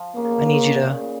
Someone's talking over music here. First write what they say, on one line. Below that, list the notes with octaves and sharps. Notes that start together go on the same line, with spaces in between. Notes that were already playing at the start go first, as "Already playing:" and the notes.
I need you to
Already playing: F3
C#3 A#3
B2
C#3
D#3
B2
A#2
C#3
A#2